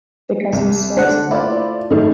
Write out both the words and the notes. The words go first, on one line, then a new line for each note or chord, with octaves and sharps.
The cousins told us about it.
C2
D3 D4 C5 F#5
A3 E4 F4 D5
A2 D#3 A3 D#4 A4